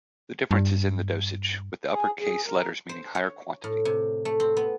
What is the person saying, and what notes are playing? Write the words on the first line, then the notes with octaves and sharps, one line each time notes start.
The difference is in the dosage, with the upper case letters meaning higher quantity.
G2
G#4
G#4
A#4
C5
C#5
A2
C3
A3
C4
B3